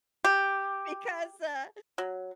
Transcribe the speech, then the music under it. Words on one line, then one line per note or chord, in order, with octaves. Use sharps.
Because, uh,
G4
F#3